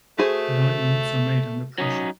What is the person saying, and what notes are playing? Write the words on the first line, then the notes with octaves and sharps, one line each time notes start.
Diamonds are made under pressure.
A3 F#4 G#4 C5
F#3 C#4 D#4